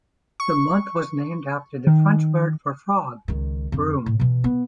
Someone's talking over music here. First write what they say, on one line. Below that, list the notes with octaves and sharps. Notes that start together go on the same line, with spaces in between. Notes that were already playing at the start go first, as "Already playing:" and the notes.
The month was named after the French word for fog, "brume".
C#6
D#3
C#2 D#3
F2 D3
A2
B2 E3
B3